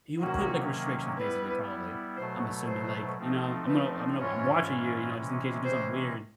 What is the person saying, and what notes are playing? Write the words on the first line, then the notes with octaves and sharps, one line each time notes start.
he would put, like, restrictions, basically, probably, I'm assuming, l ike, you know, "I'm gonna I'm gonna I'm watching you, you know, just in case you do something weird."
C3 D#3 F#3 A#3 C#4 F#4
G3 B3 E4 B4
B2 F#3 A3 C5
C5
F3 A3 C4 D#4
B4
G#2 E3 G#3 C#4 F4 C#5
C3 E3 G#3 C#4
C5